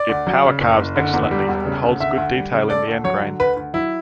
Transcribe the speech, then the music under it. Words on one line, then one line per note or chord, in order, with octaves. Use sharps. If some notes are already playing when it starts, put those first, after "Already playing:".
It power carves excellently and holds good detail in the end grain.
Already playing: D5
D2
F#3
C#3
F#1
F#1
D3
E2
G3
E1
C#3
D2
D2 E5
D2
G3
C#3
A3 D5
D2
F#3 C#5
D3
D2 B4
D2
F#3 E4